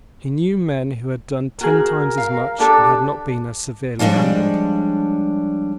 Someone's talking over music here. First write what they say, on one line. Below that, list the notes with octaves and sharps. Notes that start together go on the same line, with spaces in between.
He knew men who had done ten times as much and had not been as severely handled.
F#4 G#4 A#4
F5
D4 G4 A4
F3 G3 G#3 D4 C#5